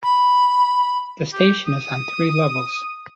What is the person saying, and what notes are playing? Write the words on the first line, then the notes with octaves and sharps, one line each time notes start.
The station is on three levels.
B5
G4
D#6